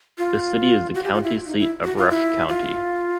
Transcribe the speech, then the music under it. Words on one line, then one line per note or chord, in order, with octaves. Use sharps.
The city is the county seat of Rush County.
F4
F#4
G4
F4
E4
D#4
E4
F#4
F4
E4
F4